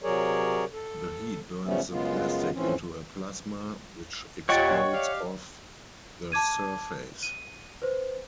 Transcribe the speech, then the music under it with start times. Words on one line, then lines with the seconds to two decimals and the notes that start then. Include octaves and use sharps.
The heat burns the plastic into a plasma, which explodes off the surface.
0.03 C3 F#3 G#4 A#4 C#5 D5
0.73 A4
1.65 C#3 F3 G3 A3 B3 C#4
1.90 F#2 C#3 G#3 B3 F4
2.54 A2 E3 F3 C4 C#4
4.49 D#2 A#2 C#5 D#5 F#5 G5 C#6 A6
4.93 G4 D5 F5
6.32 A5 D6 G#6 D#7
7.23 D#7
7.82 B4 C5